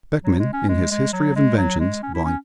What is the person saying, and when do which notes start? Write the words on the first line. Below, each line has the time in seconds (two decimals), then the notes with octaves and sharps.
Beckmann, in his History of Inventions, Vol.
0.24 F#3
0.38 G#3
0.53 C#4
0.68 G#3
0.91 G#3
1.13 F#3
1.35 G#3
1.57 F#3
1.80 G#3
2.02 C#4
2.14 E4
2.25 C#4